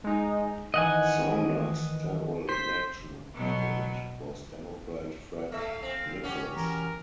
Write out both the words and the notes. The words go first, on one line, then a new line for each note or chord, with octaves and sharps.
Saunders general election opponent was Democrat Fred Nichols.
G#3 D#4
D#3 E3 D#5 F#5 G#5
C5 B6
B2 F#3
A3 E5 F5
C4
C#4 F#4 G4
E3 A#4 A#5